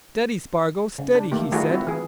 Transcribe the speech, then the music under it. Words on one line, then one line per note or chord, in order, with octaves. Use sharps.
"Steady, Spargo, steady!" he said.
C#3
D4
D#3 A3 A#3 G4
D#3 G3 A3 F4 F#4 G#4
C4 E4 F#4
E3 G#4